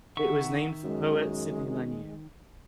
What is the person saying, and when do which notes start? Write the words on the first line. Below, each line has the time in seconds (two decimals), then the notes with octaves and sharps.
It was named for poet Sidney Lanier.
0.17 D#3 E5 F#5 C#6
0.84 F#2 G#3